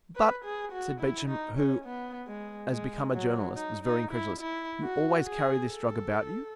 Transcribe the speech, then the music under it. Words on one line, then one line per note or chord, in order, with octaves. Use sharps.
"But," said Beauchamp, who, as became a journalist, was very incredulous, "you always carry this drug about you?"
B4
G#4
F#4
E4
D#4
C#4
B3
G#3
G#3
F#3
D#4
D#4
E4
E4
F#4
G#4
A4